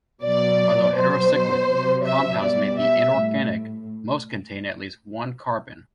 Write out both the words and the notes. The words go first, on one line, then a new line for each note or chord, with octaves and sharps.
Although heterocyclic compounds may be inorganic, most contain at least one carbon.
B2 F#3 D5
B2 F#3 C5
C3 F#3
E5
B2 G3 D5
E5
A2